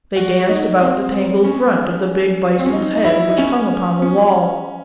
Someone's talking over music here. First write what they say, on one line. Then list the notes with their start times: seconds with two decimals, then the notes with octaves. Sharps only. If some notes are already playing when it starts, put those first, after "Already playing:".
They danced about the tangled front of the big bison's head which hung upon the wall.
0.16 F#4
0.48 D#4
0.80 C4
1.44 C#4
2.59 C4
2.66 C#4
2.73 D#4
2.95 D#4
3.05 E4
3.28 D#4
3.38 C#4
4.02 C#4